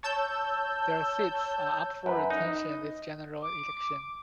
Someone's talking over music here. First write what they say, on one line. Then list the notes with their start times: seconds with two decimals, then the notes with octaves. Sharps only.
Their seats are up for retention this general election.
0.03 C#5 A5 E6 G6
2.06 F#2 B4
2.30 D#4 D#5
3.42 D6